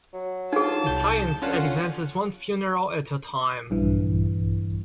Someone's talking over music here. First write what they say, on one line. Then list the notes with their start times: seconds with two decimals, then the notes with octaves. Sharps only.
Science advances one funeral at a time.
0.14 F#3
0.53 D#4 F4 G#4 A5
0.87 C2 G6
1.42 D3 C#4 F4 F#5
3.70 A#1 G2 E3